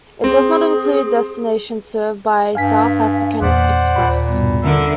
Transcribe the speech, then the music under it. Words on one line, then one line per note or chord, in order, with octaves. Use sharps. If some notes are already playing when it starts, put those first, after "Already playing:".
It does not include destinations served by South African Express.
C4 G#4
G2 F5 G#5 B6
E2 A#2 C5 D5 F#5
D#2 A#2 B5
G2 B2
D3 A#4 E5